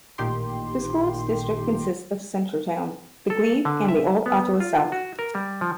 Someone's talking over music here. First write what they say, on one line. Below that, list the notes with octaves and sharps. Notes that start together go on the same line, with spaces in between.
The school's district consist of Centretown, The Glebe and Old Ottawa South.
A1 A#2 D#3 G4 C6
A4
D3
E5
B3
F4
F#4
A#4
G3
F3